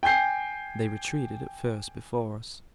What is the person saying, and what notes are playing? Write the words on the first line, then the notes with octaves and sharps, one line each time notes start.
They retreated, at first, before us.
G5 G#5 G6 C7